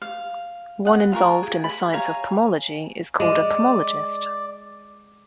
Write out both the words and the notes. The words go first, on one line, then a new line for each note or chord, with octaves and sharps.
One involved in the science of pomology is called a pomologist.
F5
D#5 F#5
F4 G#4 A#4 C#6
G#4
B5
C#5 F5 G#5 A#5
G#3 D5